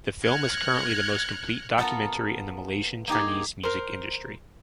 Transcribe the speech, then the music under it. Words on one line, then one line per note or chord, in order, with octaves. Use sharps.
The film is currently the most complete documentary in the Malaysian Chinese music industry.
F6 F#6 G#6 A#6 C#7
B3 F4 A4 A#4 F#5
A#3 D#4 G4 G#4
A#4 C5